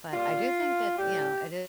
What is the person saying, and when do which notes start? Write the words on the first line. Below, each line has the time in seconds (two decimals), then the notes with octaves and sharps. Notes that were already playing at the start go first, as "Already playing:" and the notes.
but I do think that, you know, it
0.12 A#2 G3 F4
0.97 A2 G3 G4